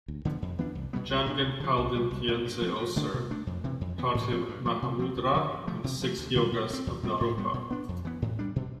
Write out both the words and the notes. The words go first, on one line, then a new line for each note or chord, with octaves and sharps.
Jamgon Palden Kyentse Oser taught him Mahamudra and the Six Yogas of Naropa.
D2
D3 F3 B3
F2
E3 B3 D4
C2
B2 G3 B3
C2
B2 B3 D4
D2
D3 F3
C2
C3 G3
C2
B2 A3
G2
F3 C4
G2
D3 A3 D4
B2
A3 D4
F2
C3 E3
F2
E3 B3
A2
F3 C4
G2
F3 A3
C3
F3 C4
D2
D3 F3
G2
F3 A3
C3
F3 A3
D2
D3 G3
B2
A3
C4
E2
B2 G3 C4
A2
G3 B3
B2
B3 D4
F2
E3 B3
A2
G3 D4
B2